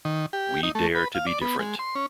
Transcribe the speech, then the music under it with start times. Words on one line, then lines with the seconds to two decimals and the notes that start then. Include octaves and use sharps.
We Dare to Be Different.
0.05 D#3
0.33 G4
0.63 D#4
0.75 A3
0.95 B4
1.15 F5
1.27 D5
1.41 B3
1.59 G#3
1.79 C6
1.95 C#4